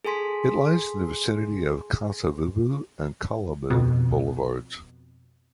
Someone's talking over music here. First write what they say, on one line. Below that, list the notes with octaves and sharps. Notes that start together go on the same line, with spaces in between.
It lies in the vicinity of the Kasa-Vubu and Kalamu boulevards.
G#4 A4 G#5 C6 B6
F2 B2